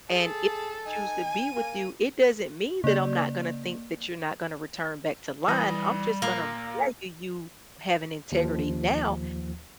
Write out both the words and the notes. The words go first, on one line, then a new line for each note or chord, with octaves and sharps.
and if I choose to be with you, it doesn't mean that I'm not gonna think that you're not gonna return back to lying, I'm just gonna value you for having integrity now,
G#4 A4 A5
D#4 G#5
D#7
A#3 G#5
C#3 A#3 D5
E3 G3 D#6 A#6
A#2 A#3
D#2 F3